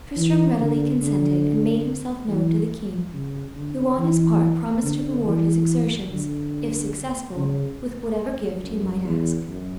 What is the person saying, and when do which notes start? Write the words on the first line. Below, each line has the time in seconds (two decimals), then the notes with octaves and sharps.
Tristram readily consented, and made himself known to the king, who on his part promised to reward his exertions, if successful, with whatever gift he might ask.
0.16 E3
0.60 D3
1.02 D3
2.28 E3
3.12 C#3
3.56 D3
3.98 E3
4.83 D3
5.25 E3
6.09 D3
7.36 C#3
8.63 F#2
9.05 E2
9.48 F#2